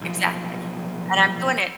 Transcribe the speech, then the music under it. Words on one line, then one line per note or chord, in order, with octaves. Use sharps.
Exactly, and I'm doing it
B1 F3